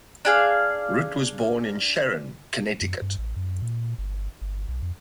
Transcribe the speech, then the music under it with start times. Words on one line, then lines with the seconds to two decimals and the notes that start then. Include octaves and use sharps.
Rudd was born in Sharon, Connecticut.
0.25 D4 G#4 F5
2.81 F#2
3.02 G2
3.18 A1
3.36 F#2
3.62 A#2
3.98 G1
4.41 G1
4.68 B1
4.82 F2